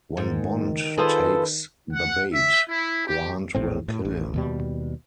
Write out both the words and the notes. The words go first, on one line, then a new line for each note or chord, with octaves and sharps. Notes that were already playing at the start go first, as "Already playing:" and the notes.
When Bond takes the bait, Grant will kill him.
G#2 D#3
F4 G#4 A4 B4 C5
F#5
E5
E4
G4
A#1 A2 C4
A2
A1
D#2 B2 G3